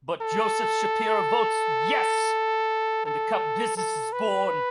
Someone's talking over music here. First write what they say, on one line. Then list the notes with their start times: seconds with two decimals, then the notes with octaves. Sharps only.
But Joseph Shapiro votes yes - and the cup business is born.
0.22 A4
3.06 A4
3.77 A4
4.13 B4